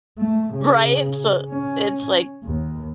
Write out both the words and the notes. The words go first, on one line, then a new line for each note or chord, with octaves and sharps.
Right? So it's, like
A3
C#3
C#4
D#2